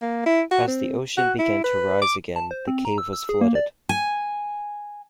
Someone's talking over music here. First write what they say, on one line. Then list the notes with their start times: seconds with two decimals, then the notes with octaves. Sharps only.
As the ocean began to rise again, the cave was flooded.
0.01 A#3
0.26 E4
0.51 F#4
0.67 C4
1.17 F#4
1.39 E4
1.64 B4
2.02 D6
2.36 A5
2.51 C5
2.67 C4
2.85 A#5
2.98 E6
3.13 E6
3.29 G#4
3.41 A#3
3.55 D5
3.89 G#5